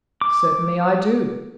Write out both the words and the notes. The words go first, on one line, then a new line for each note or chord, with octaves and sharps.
"Certainly I do."
D6